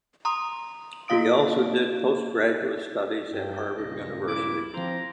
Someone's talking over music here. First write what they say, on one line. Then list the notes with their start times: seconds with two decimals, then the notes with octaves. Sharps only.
He also did postgraduate studies at Harvard University.
0.25 A#5 C6 D#6
1.08 A#3 F4 F5 D#6 D7
3.33 G2 G5
3.78 C#2 G2 A#2 D#5
4.28 E4 D6
4.74 F3 C4 F4 C5 A#5